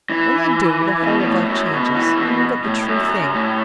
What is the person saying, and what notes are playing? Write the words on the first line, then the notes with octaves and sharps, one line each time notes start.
When they do, the whole of life changes, and you get the true thing.
E3
B2
B2
A2
F#2
B2
E3
B2
A2
F#2
A2